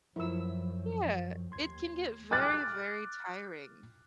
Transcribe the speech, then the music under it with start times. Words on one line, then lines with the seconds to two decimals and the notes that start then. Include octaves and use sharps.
Yeah, it can get very, very tiring.
0.16 F#2 F3 E4 A#4 E6
1.52 D#2 C6 G#6
2.31 D6 F6 F#6 A6